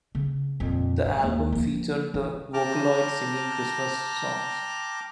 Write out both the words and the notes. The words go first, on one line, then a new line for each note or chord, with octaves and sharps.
The album featured the Vocaloid singing Christmas songs.
C#3
F2 A#2
G2
D#2 G#3
F3 A#3
E3
G5 A5 A#5 D6 F6